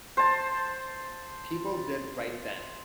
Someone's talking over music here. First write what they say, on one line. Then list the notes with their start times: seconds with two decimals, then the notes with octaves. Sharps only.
People did right then.
0.17 C5 A5